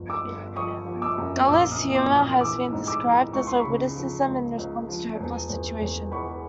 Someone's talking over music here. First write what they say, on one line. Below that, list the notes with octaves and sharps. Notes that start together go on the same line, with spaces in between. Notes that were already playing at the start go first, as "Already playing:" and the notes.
Gallows humor has been described as a witticism in response to a hopeless situation.
Already playing: G1 F3
D6 E6
G1
F3 C#6 D#6
F3
D6 E6
F#2
A#1 D6 E6
D#6 F6
E3
D#6
D6 E6
A#1
D#6 F6
E3 D6 E6
G#2
D6 E6
E3
C#2 C#6
C6
B5 C#6
C#3
F3
C#2
C#2
F3
E1
E1
E1
E2 B5 C#6